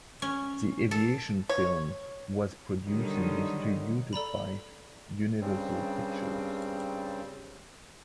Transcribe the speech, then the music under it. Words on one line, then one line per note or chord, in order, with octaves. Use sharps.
The aviation film was produced and distributed by Universal Pictures.
C#4
A4
C#5
D3 D#3 F#3 G3 D#4
A4 D5 A#5 B5
G2 C#3 G3 C4